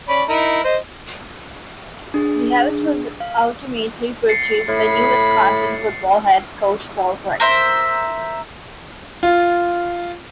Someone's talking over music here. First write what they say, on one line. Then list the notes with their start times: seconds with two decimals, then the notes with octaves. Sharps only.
The house was ultimately purchased by new Wisconsin football head coach Paul Chryst.
0.09 C#4 D5 B5
0.29 D#4 E4 A#4
0.64 C5 D#5
2.14 D4 G#4
3.20 F5
4.29 A6 C7 C#7
4.68 A2 B5
7.40 A#4 C5 E5
9.23 F4